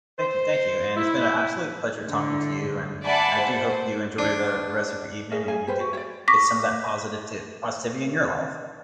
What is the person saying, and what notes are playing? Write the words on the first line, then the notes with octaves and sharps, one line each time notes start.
Thank you, thank you, and it's been a absolute pleasure talking to you, and I do hope you enjoy the the rest of your evening and you can get some of that positivtiv positivity in your life.
C5
E4
A2 D3
D5 E5 F#5 G#5 A5 B5
C5
D4
G#4 A#4 D#5
G#4 F5 G#5
G4 B4 C5
F#4
C#5 D5
C#6 D6 A#6 B6